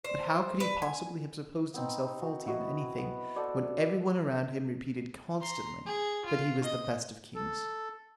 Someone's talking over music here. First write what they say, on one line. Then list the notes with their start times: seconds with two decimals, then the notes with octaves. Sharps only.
But how could he possibly have supposed himself faulty in anything when everyone around him repeated constantly that he was the best of kings?
0.04 C5
0.60 B4
0.82 G#5
1.74 B3 C4 D#4
2.22 F#4
2.45 E4 F#4 D#5
2.98 B3
3.36 F#4 A4 C5 D5
5.41 A#5 C6
5.86 G#4
6.25 F4
6.64 D#5
7.35 A4